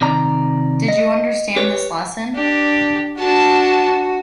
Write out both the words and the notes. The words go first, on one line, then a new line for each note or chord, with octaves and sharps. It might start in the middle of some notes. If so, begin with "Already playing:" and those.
Did you understand this lesson?
C3 D#3 D5 A#5
D#5
G4 B4 C#5
D4 G4
D4 F#4 A5